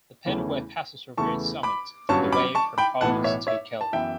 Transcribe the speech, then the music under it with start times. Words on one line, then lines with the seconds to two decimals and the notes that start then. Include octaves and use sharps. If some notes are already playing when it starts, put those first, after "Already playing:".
The Pennine Way passes over its summit, on the way from Hawes to Keld.
0.26 E2 C#3 E3 A3 C#4
1.18 E2 C#3 E3 A3 A5 C#6
1.63 B5 D6
2.09 G1 G2 F#3 C#4 A5 C#6
2.32 B5 D6
2.55 A5 C#6
2.78 G5 B5
3.01 B1 A2 E3 B3 F#5 A5
3.24 C#5 E5
3.47 C#5 E5
3.81 A5
3.92 F#2 E3 B3 E5 G5